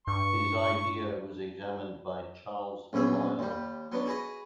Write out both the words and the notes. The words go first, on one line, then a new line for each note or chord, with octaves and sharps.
His idea was examined by Charles Lyell.
G2 C#6
A#1 F#2 B2 G#4 E5
D#2 G3
F#3 B3 D4
F#4 G#4 B4 D#5